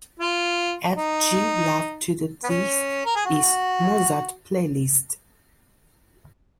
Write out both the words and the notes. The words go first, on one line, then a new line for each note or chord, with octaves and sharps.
Add g love to the This Is Mozart playlist.
F4
D#4
B3
C#4
A#4
G#4
F#4